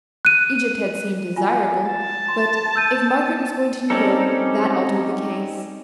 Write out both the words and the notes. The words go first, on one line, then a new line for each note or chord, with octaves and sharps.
Egypt had seemed desirable, but if Margaret was going to New York, that altered the case.
F#6 D#7
F4 F#4 G#5
A5
C6
E6 G6 D#7
G3 C4 C#4 D#4 A4